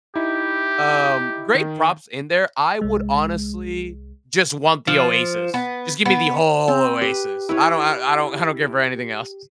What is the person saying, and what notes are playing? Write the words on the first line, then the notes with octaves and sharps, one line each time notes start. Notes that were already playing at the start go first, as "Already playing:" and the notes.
Um, great props in there. I would honestly just want the OASIS. Just give me the whole OASIS. I don't I I don't I don't care for anything else.
D#4 E4 G4
D#3
C2 G#3
F3
B3
B3
C4
G4 B4
E4 B4 C#5